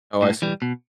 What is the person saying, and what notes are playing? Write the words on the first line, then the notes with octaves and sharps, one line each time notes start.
Oh, I see.
A2
E3 G3
B2